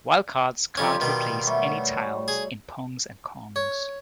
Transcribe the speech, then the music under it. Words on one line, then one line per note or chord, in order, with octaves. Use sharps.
Wildcards can't replace any tiles in Pongs and Kongs.
F2 G3 C#4 F4 G4
B2 D#3
F#3 G3 A3
G#4
C#5